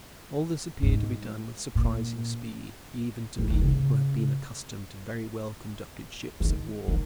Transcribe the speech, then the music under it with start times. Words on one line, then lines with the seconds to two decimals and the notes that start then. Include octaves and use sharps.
All this appeared to be done with surprising speed, even to me who had been accustomed to very well conducted ships of war.
0.83 G#2
1.75 A#2
3.38 F3
3.50 D#3
3.62 C#3
6.40 D#3
6.88 D#3